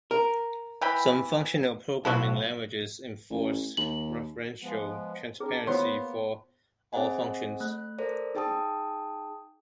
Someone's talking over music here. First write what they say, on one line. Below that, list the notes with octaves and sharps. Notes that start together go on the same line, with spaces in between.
Some functional programming languages enforce referential transparency for all functions.
A#4
E3 G5 B5
B1 F3 E4 F#4
A1
D#2 F#7
F3 G#3 B3
C4 D4 G#4 A#4
A#3 B3 F4 C5 C#5 C6
C4 G#4 C5 D#5 F#5 G#5
A3 F#6
A4 A#4 C5 D5
D#4 G#4 G5 A5 D#6